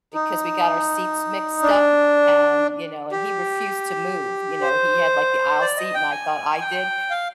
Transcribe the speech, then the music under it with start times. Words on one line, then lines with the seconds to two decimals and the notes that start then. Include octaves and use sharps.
because we got our seats mixed up and, you know, and he refused to move, you know, he had, like, the aisle seat and I thought I did.
0.14 D#4
1.63 D4
3.12 G4
4.61 C5
5.61 D5
5.77 D#5
5.94 G5
6.11 G#5
6.61 G5
7.11 F5